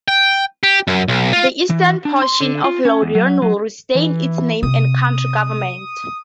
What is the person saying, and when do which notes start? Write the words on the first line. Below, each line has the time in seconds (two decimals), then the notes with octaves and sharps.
The eastern portion of Loudoun would retain its name and county government.
0.08 G5
0.63 G4
0.87 F#2
1.08 B1
1.33 F4
1.70 E3
2.05 D4
2.22 C6
2.41 D3
2.64 F4
2.85 C#4
3.02 E2
3.15 F#3
3.42 F#3
3.95 E3
4.63 C3 D#6